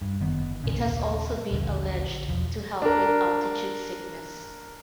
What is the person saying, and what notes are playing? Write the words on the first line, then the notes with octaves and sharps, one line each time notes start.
It has also been alleged to help with altitude sickness.
G2
F#1 D#3 B3
B1 A#2 C#3
D#1
D#1 A#1 A2 D3
E1 F3
D4 A#4